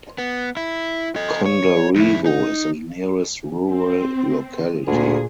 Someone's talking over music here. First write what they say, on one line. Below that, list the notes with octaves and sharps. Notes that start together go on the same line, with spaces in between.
Kondarevo is the nearest rural locality.
B3
E4
A4 D#5
C#5
F2 E4
D#4
C4
D2 A#2 G#4